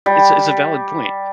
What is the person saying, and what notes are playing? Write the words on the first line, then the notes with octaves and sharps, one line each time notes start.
It's a it's a valid point.
G3